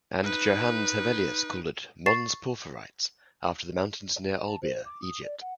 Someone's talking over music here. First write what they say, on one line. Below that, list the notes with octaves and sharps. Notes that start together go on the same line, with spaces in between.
And Johannes Hevelius called it "Mons Porphyrites" after the mountains near Olbia, Egypt.
D#4 B4
C#6 A6 C7 E7
D#5
A5
C5
D6
D#6
D5
F#5